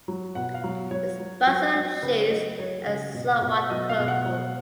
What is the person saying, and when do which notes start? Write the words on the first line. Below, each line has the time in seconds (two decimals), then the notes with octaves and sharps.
Its basal sheaths are somewhat purple.
0.08 F#3
0.35 B2 F#5
0.54 F5
0.64 F#3
0.91 F#3 C#5
1.20 F#3
1.47 F#3
1.75 F#3
2.03 C#3 B4
2.17 C#5
2.30 F#3 D#5
2.59 F#3 C#5
2.87 C#3
3.14 B2
3.42 B2
3.70 F#3 D#5
3.89 F5
3.99 B2
4.08 F#5
4.26 F#3